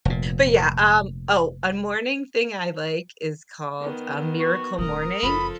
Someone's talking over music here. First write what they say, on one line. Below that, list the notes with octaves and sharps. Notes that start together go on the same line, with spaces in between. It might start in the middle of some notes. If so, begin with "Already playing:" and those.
but yeah, um Oh, a morning thing I like is called a Miracle Morning.
F1 A#2
D#3 B3
F#4
D#1 A3 A#4 A#5 D#6
F#1 F3 A4 B5